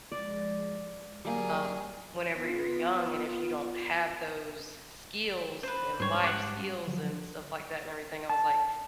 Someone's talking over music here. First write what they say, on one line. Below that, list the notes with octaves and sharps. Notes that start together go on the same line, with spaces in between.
um, whenever you're young, and if you don't have those skills, and life skills, and stuff like that, and everything. I was like,
F3 G#3 D5
D3 F#3 G3 A#3 G#4
B3 F4
B4 C5
G#2 G3 C5 C#5
F#5 D6
D3 F3 F#3
A5